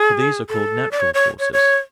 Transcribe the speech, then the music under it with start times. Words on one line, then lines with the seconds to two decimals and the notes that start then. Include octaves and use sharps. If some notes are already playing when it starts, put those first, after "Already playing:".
For these are called "natural" forces.
Already playing: G#4
0.49 A4
0.91 D5
1.00 C#5
1.14 C#5
1.39 C#5
1.53 C#5